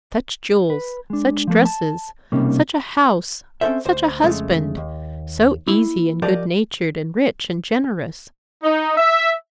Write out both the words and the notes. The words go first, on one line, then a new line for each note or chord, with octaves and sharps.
Such jewels! such dresses! such a house! such a husband! so easy and good-natured, and rich and generous!
B4
G#3 D4
F3 A3 A#3
A5
B1 C3 G3 A#3 C#4 D#4
C4 C#4 F#4 A4 C5 E5
D2 C5
F2 C#3 G#3 A3
D#2
A#3 E4
F3 G4 A#4 D5 D#5 A5
D#4
E5